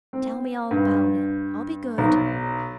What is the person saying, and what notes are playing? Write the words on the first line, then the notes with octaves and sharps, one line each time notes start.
"Tell me all about it; I'll be good."
C4
G2
B1